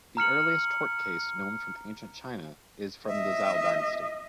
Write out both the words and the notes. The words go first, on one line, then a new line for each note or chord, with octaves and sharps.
The earliest "tort case" known from Ancient China is from the Zhou dynasty.
A#5 F6 C#7 F#7
D#5 E5